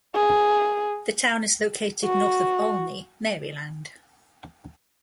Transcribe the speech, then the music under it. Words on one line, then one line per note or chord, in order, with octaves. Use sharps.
The town is located north of Olney, Maryland.
G#4
F#4